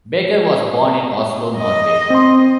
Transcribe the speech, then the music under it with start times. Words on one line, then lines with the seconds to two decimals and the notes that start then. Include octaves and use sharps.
Backer was born in Oslo, Norway.
1.57 D#5
2.10 C4 C6